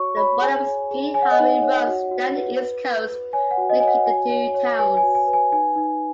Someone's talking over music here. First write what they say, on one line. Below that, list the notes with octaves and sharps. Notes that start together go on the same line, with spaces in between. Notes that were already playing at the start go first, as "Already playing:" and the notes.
The Boluminski Highway runs down the east coast, linking the two towns.
Already playing: F#4 C#5 C#6
C#5 B5
G#4 G#5
C#5
G#4
C#5 G#5
F#5
D#5
D#4 F#5
C#5
F#4
F#4
B4
B4
B4
B4
C#5 G#5
F#5
F#4
D#5
C#5 G#5
F#5
F#4 G#5
C#5
C#5
B4 G#5
G#5
F#4
G#5
B4
G#5
D#4 G#5
D#4